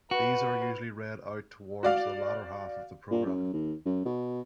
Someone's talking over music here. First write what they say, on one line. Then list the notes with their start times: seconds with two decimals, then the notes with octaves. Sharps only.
These are usually read out towards the latter half of the programme.
0.11 F#4 B4
1.83 F#4 D5 F5
3.11 A#2
3.26 F#2
3.53 D#2
3.86 F#2
4.05 B2